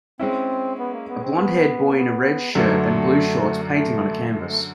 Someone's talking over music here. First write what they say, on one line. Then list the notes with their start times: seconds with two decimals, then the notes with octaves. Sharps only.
A blondhaired boy in a red shirt and blue shorts painting on a canvas.
0.19 G#3 C4 C#4 E4
0.79 B3
0.93 A#3
1.09 B3
1.23 C4
1.38 B3
1.88 A#3
1.97 B3
2.55 F#2 D3 F#3 A3
3.73 A3
4.31 A3
4.40 G#3
4.48 A3